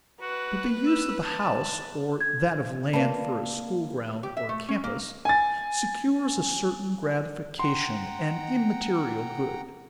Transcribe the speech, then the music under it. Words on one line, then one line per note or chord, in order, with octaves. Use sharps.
But the use of the house, or that of land for a school ground or campus, secures a certain gratification, an immaterial good.
F#4 B4
E6
A5
G#6
A#3 F4 B4 D5 A5 B5
G4
E5
A3
C#4
A#3
G#5 A6
F#5 G5 A#5 C6